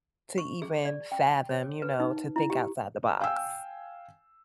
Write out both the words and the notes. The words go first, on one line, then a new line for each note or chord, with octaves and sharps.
to even fathom, you know, to think outside the box.
C#6
G#4
D5
G5
C#5
B4
D#4
E4
G4
F5 G5 G#5 E6